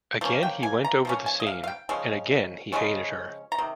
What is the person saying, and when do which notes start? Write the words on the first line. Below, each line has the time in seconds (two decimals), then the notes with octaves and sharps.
Again he went over the scene, and again he hated her.
0.21 F3 A#3 C#4
0.43 G5
0.63 G#5
0.84 A#5
1.05 F3 A#3 C#4
1.26 G#5
1.40 D#5
1.46 F5
1.64 F5
1.67 G5
1.89 C#3 F3 G#3 C#4
2.73 C#3 F3 G#3 C#4
3.52 A#5
3.58 C3 D#3